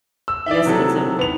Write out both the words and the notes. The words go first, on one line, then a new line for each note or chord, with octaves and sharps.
I guess if it's a
E6
D#4 E4 D5 E5
C3 F#3 A4
B3 F7